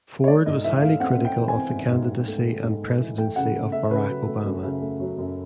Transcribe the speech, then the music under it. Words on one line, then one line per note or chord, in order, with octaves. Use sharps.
Ford was highly critical of the candidacy and presidency of Barack Obama.
C#5
A3 D5
G#2 D#5
E3 E5
A3 F5
C4 F#5
C4
G5
E3
G#5
C4
G#2
G#2
G#2
A3
A3
G#2
A3
E3
A3 G5
C#3 F#5
A3
A3 E5
C#3 B4
F#3
A3
F#2
C#3
A3
F#3
F#2